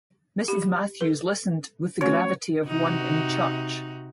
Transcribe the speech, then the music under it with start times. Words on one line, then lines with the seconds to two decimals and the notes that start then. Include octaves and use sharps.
Mrs. Matthews listened with the gravity of one in church.
0.48 G4 B5
1.01 A4 B4
2.01 A3 C#4 F#4 C#5
2.67 C3 D#4 F#4